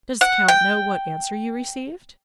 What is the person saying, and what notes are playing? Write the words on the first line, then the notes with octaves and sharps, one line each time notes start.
"Does the count know what answer you received?"
F#5
G5